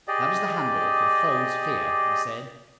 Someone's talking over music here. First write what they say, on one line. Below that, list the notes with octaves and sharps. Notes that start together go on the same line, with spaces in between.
"That is the handle for 'Foes'-fear,'" he said.
G4 G#4 D5 D#5